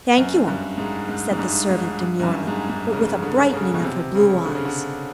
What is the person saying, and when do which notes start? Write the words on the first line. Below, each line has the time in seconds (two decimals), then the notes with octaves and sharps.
"Thank you, 'm," said the servant demurely, but with a brightening of her blue eyes.
0.18 F#2
0.48 G2
0.78 G#2
1.09 G#2
1.31 G#2
1.39 G2
1.70 G#2
2.00 G2
2.20 F#2
2.23 G2
2.47 G#2
2.69 G#2
2.92 C#3
3.23 D3
3.53 C#3
3.74 B2
3.84 C3
4.15 C#3
4.46 D3
4.55 C#3
4.65 D3